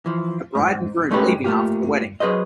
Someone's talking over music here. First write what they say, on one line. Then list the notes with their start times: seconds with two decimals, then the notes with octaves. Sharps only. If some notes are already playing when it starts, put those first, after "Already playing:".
A bride and groom leaving after the wedding.
0.06 E3 F3
0.55 G#2
1.11 G#3 A3 C#4 D#4 G4 B4
1.44 A3 A#3 F4 G4
2.20 F#3 G#4 B4 C5 D#5